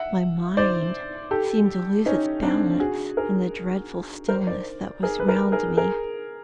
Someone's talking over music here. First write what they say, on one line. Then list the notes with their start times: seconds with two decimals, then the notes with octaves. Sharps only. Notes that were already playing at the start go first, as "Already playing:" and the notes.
My mind seemed to lose its balance in the dreadful stillness that was round me.
Already playing: E5 F#5
0.57 C5 D5
1.31 G4 A4
2.06 C#4 D#4
2.43 C4 D4
2.80 F#4 G#4
3.17 G#4 A#4
4.28 A#4 C5
4.47 C5 D5
5.03 G#4 A#4
5.20 B4
5.28 G#4 A#4
5.52 G#4 A#4
5.77 G#4 A#4